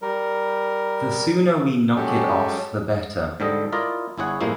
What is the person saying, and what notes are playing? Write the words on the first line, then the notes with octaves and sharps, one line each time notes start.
The sooner we knock it off the better.
G3 A#4
F#3 G#3 C#4 G4 A4
G#2 D3 G3 A4 D#5
E4 F4 A#4 D5 D#5
G1 E4 G#4 C#5 F#5
A2 C3 F3 G#3 A#3 E4